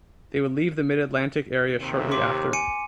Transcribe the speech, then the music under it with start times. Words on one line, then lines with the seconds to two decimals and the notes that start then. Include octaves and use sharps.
They would leave the Mid-Atlantic area shortly after.
1.79 D#2 C3
2.11 C6 D6
2.53 G#5 C#7 D#7